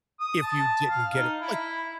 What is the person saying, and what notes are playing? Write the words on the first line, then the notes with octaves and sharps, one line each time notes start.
if you didn't get it, like,
D#6
A5
F5
D#4
E4